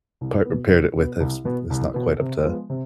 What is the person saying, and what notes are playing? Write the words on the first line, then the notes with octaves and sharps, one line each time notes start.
pa uh, paired it with is is not quite up to
C2
B2 B3
C2
B2 B3
C2
B2 B3
C2
B2 B3
C3
F3 G#3 B3
C3